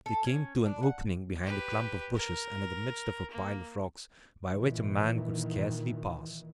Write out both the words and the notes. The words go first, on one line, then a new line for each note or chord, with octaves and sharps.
They came to an opening behind a clump of bushes and in the midst of a pile of rocks, by which a man could scarcely pass.
A4
C#4
D4
F#5
G4 B4
A#4
A#3
A#2 D#3 E3